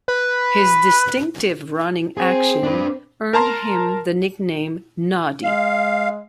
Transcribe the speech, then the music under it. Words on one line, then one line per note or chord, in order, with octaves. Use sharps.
His distinctive running action earned him the nickname "Noddy".
B4
C4 G#4
D4 B4
A#4 A5 A#5 C6
G#3 F5